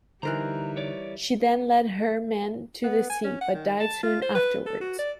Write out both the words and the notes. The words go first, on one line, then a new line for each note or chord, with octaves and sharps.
She then led her men to the sea, but died soon afterwards.
D3 E3 G3 D#4 A#4 C5 A#5 F#6
C#5 D5
B3
G#5
C#4
F#5
D#3
A5
F4
C5
B4
A4
F#4
D5